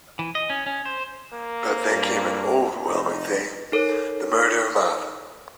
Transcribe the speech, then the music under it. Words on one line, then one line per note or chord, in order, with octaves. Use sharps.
But then came an overwhelming thing — the murder of Marthe.
E3
D#5
C#4
C#4
C5
A#3
G2
F1 D#4
D#4 A4 A#4 C#5